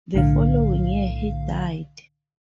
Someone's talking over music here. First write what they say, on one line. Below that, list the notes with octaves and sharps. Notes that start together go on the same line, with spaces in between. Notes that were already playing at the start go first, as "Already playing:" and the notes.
The following year he died.
B1 A2 D3 F5